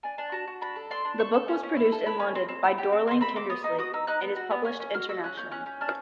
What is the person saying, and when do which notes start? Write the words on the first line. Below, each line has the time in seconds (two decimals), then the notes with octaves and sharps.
The book was produced in London by Dorling Kindersley and is published internationally.
0.03 D4 G#5
0.18 D4
0.32 F#4 A5
0.47 F#4
0.61 D4 B5
0.76 A4
0.90 D4 C6
1.05 D4
1.19 A4 C#6
1.34 A4
1.48 C#4
1.63 C#4
1.77 E4
1.92 A4
2.06 E4 B5
2.20 C#4
2.35 C4
2.49 C4
2.64 E4
2.78 G4
2.92 C4
3.07 C4 C6
3.21 C4 B5
3.36 C4 D6
3.50 B3 D#6
3.64 D#4
3.79 F#4 D#6
3.93 D#4 E6
4.07 D#4 F#6
4.22 B3
4.36 F#4
4.51 B3
4.65 C#4
4.80 C#4
4.95 F#4 F6
5.09 F#4 E6
5.24 C#4 F#6
5.37 C#4 G6
5.52 C#4 F#6
5.66 C#4 G6
5.81 D4 F6